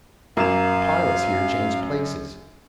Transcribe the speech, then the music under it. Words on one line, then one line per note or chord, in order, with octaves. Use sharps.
The pilots here changed places.
F#2 A#3 F5 E7